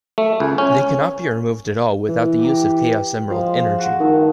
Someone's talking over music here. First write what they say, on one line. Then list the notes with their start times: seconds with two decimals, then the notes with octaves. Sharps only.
They cannot be removed at all without the use of Chaos Emerald energy.
0.18 A3
0.40 C#2
0.58 C#4
2.09 E3
2.39 G4 A#5
3.30 F3 G#3 F5
3.78 F#4
4.00 G2 D#3 A3